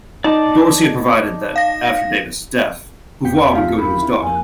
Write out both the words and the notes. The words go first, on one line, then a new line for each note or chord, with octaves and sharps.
Dorsey had provided that, after Davis' death, Beauvoir would go to his daughter.
D#4 D5 A5 D6
F5 A#6
E2 G5 G6 B6
C3 D#4 F4 F5
A#4 B5
D4 E4
F2 A#3 G#5